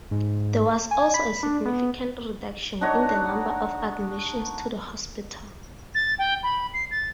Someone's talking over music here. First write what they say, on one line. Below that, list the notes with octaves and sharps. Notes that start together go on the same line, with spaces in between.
There was also a significant reduction in the number of admissions to the hospital.
G#2
G#5
B5
D4
B3
D4 D#4 F#4 C#5
A6
G5
B5
C7
A6